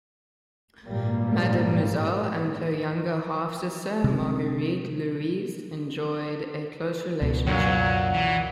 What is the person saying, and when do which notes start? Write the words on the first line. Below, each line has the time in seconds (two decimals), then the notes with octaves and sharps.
Mademoiselle and her younger half sister Marguerite Louise enjoyed a close relationship.
0.86 G#1 G2 A#2 G3 A#3
4.04 C3 G#3
7.22 C#2 B2
7.47 F#2 A#2 F#3
8.14 E3